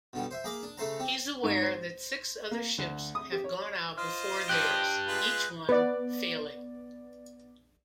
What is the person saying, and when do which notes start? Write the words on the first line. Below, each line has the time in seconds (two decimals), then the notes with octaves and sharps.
He's aware that six other ships have gone out before theirs, each one failing.
0.13 B2 D3 G3
0.31 C5 E5
0.44 A#3 G#4 A#5 B5 D6
0.63 D4
0.78 C#3 A3 A4 C5 A#5
0.99 C4 G4
1.43 G#2
1.62 C5
2.51 A#3
2.78 D2
3.15 D#6
3.32 G4
3.44 C#5
3.98 F4 C5 D#5 F6
4.49 D4 G4 F#6 G6 F#7
5.08 G#3 F4 B4
5.69 B3 B4 D5